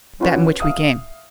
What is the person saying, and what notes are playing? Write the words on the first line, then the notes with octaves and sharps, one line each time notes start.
"That in which we came."
C#4 F4 F#4 B4 C#5
E5 F5 D#6